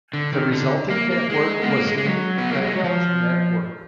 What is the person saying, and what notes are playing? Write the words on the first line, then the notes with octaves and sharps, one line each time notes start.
The resulting network was named The Health Network.
D3
D#3
D3
A#3
A#3
G#3
B3
A#3
G#3
G#3
F#3
B3
A#3
G#3
F#3
F3